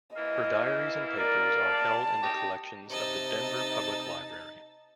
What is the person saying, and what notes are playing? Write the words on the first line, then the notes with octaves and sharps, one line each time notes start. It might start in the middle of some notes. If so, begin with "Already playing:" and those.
Her diaries and papers are held in the collections of the Denver Public Library.
E3 A#3 E4 D#5
G3 A#3 A#4 D5
A5
D#4 G4
C3 D#4 D#5 A5 E6 A6